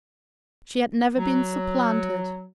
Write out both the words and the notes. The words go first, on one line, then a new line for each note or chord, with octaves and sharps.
She had never been supplanted.
F#3